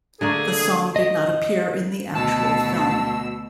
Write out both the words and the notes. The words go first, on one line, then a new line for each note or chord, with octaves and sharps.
The song did not appear in the actual film.
D3 A3 A#3 G#4 A4
D#5
D2 B2 A5 E6